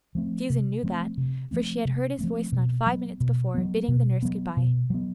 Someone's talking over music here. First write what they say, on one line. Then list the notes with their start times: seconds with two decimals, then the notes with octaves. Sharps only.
Susan knew that, for she had heard his voice not five minutes before, bidding the nurse good-bye.
0.15 F3 A3 C4
0.50 C3
0.83 F3 A3 C4
1.17 C3
1.51 F3 A3 C4
1.85 C3
2.19 F3 A3 C4
2.52 B2
2.86 F#3 B3
3.20 B2
3.54 F#3 B3
3.88 B2
4.23 F#3 B3
4.57 B2
4.90 F#3 B3